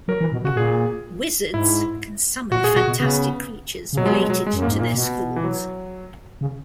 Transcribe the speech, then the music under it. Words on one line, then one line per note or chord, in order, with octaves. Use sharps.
Wizards can summon fantastic creatures related to their schools.
F#3 A#4
E3
B2
C#3 F#4
A#2 G#4
G#2 E4
A#2 F#4
A#2 G#4
B2 F#4
B2
C#3 B3
C#3
B2 F#3
G#3
F#3
G#3
F#3
G#3
F#2
A#3
G#2
A#2 A#3
B2
E3
F#3
C#3